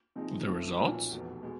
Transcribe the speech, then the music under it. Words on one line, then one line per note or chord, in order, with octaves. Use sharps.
The results?
C3 F3 G#3 C4 D#4
C2 C3 F3 A3 C4
B1 A#2 F3 A#3 C#4
F1 E2 B2
B2 G#3